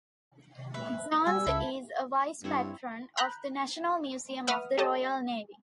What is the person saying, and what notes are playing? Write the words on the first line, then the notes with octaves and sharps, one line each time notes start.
Jones is a Vice-Patron of the National Museum of the Royal Navy.
B4 E5
G3 G#5 E6
C#2 E4 A4 E5
G2 C4 E4 C#5
A#5 B5 F#6 G6
B4 E5 F#5 D#6 F6
G4 A4 C#5 D#5 A5